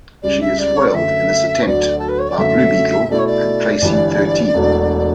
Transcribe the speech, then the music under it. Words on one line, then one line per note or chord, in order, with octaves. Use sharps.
She is foiled in this attempt by Blue Beetle and Traci Thirteen.
C#2 C#3 G3 D5
E5
D5
C#5
D5
F#2 D3 A3 E5
C#5
D2 D3 F#3 D5
A4
B4
C#5
D5
F#2 D3 F#3 A3 E5
B2 A3 E4 D5
C#5
D5
G1 G2 E3 G3 D4
E1 E2 B2 A3 D4